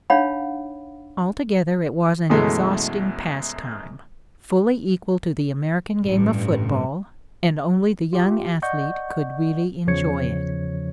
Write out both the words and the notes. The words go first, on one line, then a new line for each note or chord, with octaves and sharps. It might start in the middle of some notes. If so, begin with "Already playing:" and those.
Altogether it was an exhausting pastime--fully equal to the American game of football, and only the young athlete could really enjoy it.
D4 D#4 C#5 F5 F#5 B5
F#2 B2 E3 G#3 A3
A1 G2
F4 G4
D5 D#5 F#5 C#6 G6
E2 C#3 F3 C#5 G#6 C#7